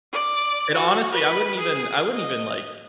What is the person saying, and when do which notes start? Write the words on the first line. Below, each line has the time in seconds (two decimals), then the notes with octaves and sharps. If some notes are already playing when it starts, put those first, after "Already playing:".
And, honestly, I wouldn't even I wouldn't even, like,
0.13 D5
0.75 F#4
1.13 B4
1.59 G#4
2.14 D#5